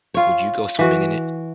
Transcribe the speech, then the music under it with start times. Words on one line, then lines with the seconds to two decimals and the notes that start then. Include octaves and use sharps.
would you go swimming in it?
0.14 F4 C#5
0.79 E3 F#4